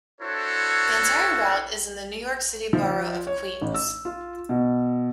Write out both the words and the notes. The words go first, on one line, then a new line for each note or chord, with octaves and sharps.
The entire route is in the New York City borough of Queens.
D4 E4 F#4 A4 C5 C#5
F3
C#5
A1
E6
F4
B2